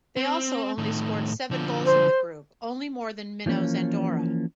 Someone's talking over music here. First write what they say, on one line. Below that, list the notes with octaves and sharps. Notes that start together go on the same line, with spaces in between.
They also only scored seven goals in the group, only more than minnows Andorra.
C4
A2 D#3
D3 F3
C5
E3 F3 A#3 C#4